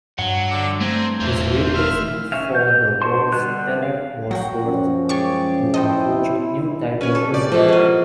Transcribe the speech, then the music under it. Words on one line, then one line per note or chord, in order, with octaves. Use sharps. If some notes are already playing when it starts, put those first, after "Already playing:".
His replacement for the was Derek Wadsworth, who composed new title music.
G2 F#3 F#5
D3 D6 E6
A3 C4 G#5 A#5
E1 E3 F#3 F4 C5
E5 F6
C#4 E5 F5
G6
D4 F#4 C5 C6
D3 G3 B3 F#6
F5
F#3 F#4 G5 A#5
F#2 F3 C#4
G#3 G4 G#4 D5 C#6
E4 A4 C5 D#5 G5
C#4 B4 G#5
A4
G4 D5
B2 E3 F3 G#3 A4
A#3 G#4